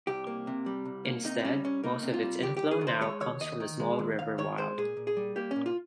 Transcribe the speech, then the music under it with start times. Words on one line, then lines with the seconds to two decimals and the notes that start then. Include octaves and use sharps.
Instead, most of its inflow now comes from the small river Wild.
0.07 C2 G4
0.27 A#3
0.47 C3
0.66 G3
0.85 C2
1.05 A#3
1.24 C3 D#4
1.44 G3 C#4
1.64 C2 C#4
1.84 A#3 D#4
2.03 C3
2.14 F4
2.23 G3
2.42 D#2 G4
2.57 G4
2.63 D#2
2.71 G#4
2.81 D#3
2.87 C5
3.01 G#3 C#5
3.20 D#2 C#5
3.41 D#2 D#5
3.60 D#3
3.80 G#3
3.99 D#2
4.19 D#2 F5
4.38 D#3 C#5
4.57 G#3 C5
4.78 A#2 G#4
4.97 A#2
5.07 G#4
5.17 G3
5.36 A#3 G4
5.51 A#2 C#4
5.66 F4